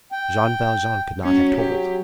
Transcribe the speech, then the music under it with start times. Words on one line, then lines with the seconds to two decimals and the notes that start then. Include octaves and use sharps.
Jean Valjean could not have told.
0.12 G5
1.23 F#3 C#4
1.56 G4